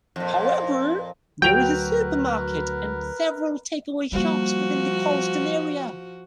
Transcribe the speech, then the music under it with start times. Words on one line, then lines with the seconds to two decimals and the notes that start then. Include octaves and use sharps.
However, there is a supermarket and several take-away shops within the Colston area.
0.16 F2 A#2
1.42 D2 F#3 F#4 A#4 B4 G5 F7
4.12 F3 G3 A#3 F#4